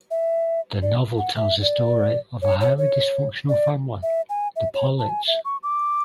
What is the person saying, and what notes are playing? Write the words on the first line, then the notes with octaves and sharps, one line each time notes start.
The novel tells the story of a highly dysfunctional family, the Pollits.
E5
D5
F#5
E5
D5
C#5
C#5
C#5
D5
E5
G#5
E5
C#5
A5
G#5
E5
C#6
D6